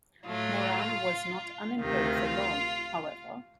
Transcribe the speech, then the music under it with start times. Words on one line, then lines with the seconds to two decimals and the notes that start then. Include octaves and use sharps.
Moran was not unemployed for long, however.
0.25 A2 F#3 A3 F4
1.80 D2 C3 D#3 F4